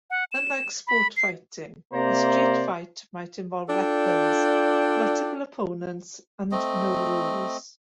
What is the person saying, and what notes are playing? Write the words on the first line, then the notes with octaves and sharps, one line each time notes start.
Unlike sport fighting, a street fight might involve weapons, multiple opponents, and no rules.
F#5
E7
B5
C7
C3 A#3 C5 D5 A#5
D4 F4 A4 D5 G5
A3 C4 D#5